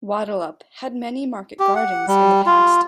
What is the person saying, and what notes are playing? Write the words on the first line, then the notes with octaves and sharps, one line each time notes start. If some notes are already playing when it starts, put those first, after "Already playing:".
Wattleup had many market gardens in the past.
G4
F#5
G3
F4